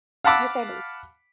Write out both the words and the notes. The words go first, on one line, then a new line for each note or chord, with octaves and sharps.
your family.
F5 F#5 A5 B5 D6 E6